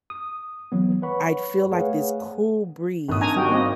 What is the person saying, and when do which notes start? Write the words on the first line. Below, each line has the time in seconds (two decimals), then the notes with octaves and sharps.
I'd feel like this cool breeze,
0.10 D#6
0.72 E3 F#3 B3
1.02 B4 C#5 F#5 B5 C#6
1.72 A3 G#4 B4 C#5 F5 F#5
3.08 G#1 D#6
3.21 D4 G#5 A#5
3.36 G3 F#4 G5
3.49 A#3 C4 D#5